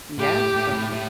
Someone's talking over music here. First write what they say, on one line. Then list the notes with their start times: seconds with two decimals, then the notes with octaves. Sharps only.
Yes, it's a v
0.18 A2 G4
0.55 A2
0.72 A2
0.92 A2